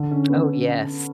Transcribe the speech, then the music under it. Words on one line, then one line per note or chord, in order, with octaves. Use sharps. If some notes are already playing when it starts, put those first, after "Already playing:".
Oh, yes.
Already playing: D3
C#4
B3